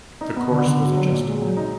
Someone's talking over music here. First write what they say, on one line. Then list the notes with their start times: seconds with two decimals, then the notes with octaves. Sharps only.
The course was adjusted.
0.21 D#4
0.36 B3
0.51 D3
0.66 D3
0.81 F#4
0.97 F#3
1.12 A#2
1.27 G#3
1.42 F#3
1.57 D#4